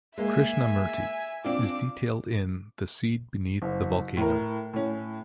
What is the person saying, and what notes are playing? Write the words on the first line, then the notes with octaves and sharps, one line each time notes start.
Krishnamurti, is detailed in "The Seed Beneath the Volcano".
G#3 A#3 E5 G#5
C4 D4 F4 D6
F#1
A2 A#4
A2 C#4